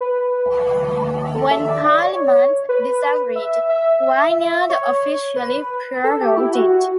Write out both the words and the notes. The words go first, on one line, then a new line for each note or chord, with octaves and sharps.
When Parliament disagreed, Wynyard officially prorogued it.
B4
A4
E5
D5
D5
C#5
B4
E5
E5
E5
C#5
B4
A4
G4
E4
F#4